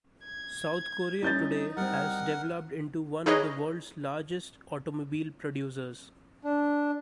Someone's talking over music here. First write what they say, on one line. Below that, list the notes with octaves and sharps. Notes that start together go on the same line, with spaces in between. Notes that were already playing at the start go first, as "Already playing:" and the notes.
South Korea today has developed into one of the world's largest automobile producers.
G#6
G3 C#4 D#4 E4 G6 A6
G3 C4 A#4 F#5
D#4 G#4 A#4 B4 C#5 D#5
D4